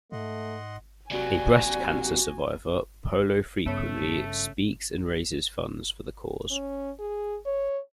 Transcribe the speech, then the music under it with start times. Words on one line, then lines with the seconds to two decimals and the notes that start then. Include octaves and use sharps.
A breast cancer survivor, Polo frequently speaks and raises funds for the cause.
0.12 G#2 A3 D#5 F#5 C6
1.11 C3 F#3 F#4 D5 G#5
3.66 G2 C#3 A3 B3 C#5
6.51 C#4
6.99 G#4
7.45 C#5